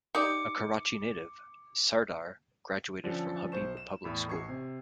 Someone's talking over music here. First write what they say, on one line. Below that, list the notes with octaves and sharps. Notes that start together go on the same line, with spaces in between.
A Karachi native, Sardar graduated from Habib Public School.
D#4 G4 D5 D6 C#7
D3 F3 C#4 A4
B1 C5 C#6 E7
E7
E2 A2 B5
A1 C#6 G#6 C7
C3